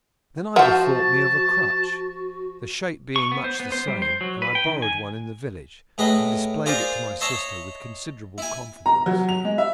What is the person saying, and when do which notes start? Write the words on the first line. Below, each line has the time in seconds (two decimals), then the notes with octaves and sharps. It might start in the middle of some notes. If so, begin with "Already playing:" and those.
Then I bethought me of a crutch, the shape being much the same, and I borrowed one in the village, and displayed it to my sister with considerable confidence.
0.56 F3 F#4 C5 E5 F#5 G5 A5
3.16 C#6
3.32 B3
3.44 C5
3.60 B3
3.72 C5
3.88 G3
4.02 C5
4.21 F#3
4.42 B4
4.55 G5
4.67 D#3
4.82 G#5
5.98 A2 G#4 B4 D#5
6.66 F4 G#4 A#4 C5 D5
7.21 C#5 D#5 E5 A5 C6
8.38 E4 G#5
8.86 A#5
9.06 F#3
9.29 F7
9.45 G#3
9.58 E5